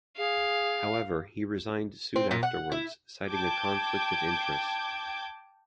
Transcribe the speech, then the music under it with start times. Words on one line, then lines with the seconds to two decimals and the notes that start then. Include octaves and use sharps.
However, he resigned soon afterwards, citing a conflict of interest.
0.17 G#4 F5
2.16 C4
2.31 A#2
2.43 F#5
2.72 E4
3.30 G5 A5 D6 G6 G#6